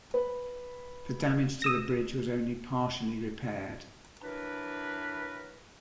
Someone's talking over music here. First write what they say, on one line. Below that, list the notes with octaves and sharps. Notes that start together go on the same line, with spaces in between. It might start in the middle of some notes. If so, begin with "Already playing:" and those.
The damage to the bridge was only partially repaired.
B4
D#6 E6 A#6
E3 F#3 D4 A#4 B4